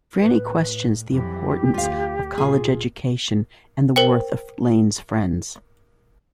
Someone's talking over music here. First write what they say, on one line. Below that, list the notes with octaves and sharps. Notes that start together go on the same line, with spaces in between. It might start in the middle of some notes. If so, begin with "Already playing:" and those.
Franny questions the importance of college education and the worth of Lane's friends.
A2 B4
F2 E3 F#3 G4
D2 F4 F5
A#2 F4 G#4
A#4 C5 G5